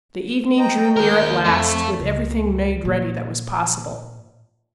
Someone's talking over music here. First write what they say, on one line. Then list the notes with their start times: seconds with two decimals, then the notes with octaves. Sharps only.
The evening drew near at last, with everything made ready that was possible.
0.57 D#5 G5 A#5
0.96 D#2 A#4 G6
1.44 F2 A3
1.99 C#2
2.85 A#2